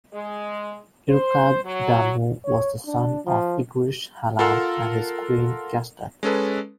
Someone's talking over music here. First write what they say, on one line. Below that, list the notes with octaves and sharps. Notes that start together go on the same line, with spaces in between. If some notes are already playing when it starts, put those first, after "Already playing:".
Irkab-Damu was the son of Igrish-Halam and his queen Kesdut.
G#3
C5
F#3
C#5
D4
F3
F4 A4 A#4 F5 F#5 E6
G#3 C#4 A4 B4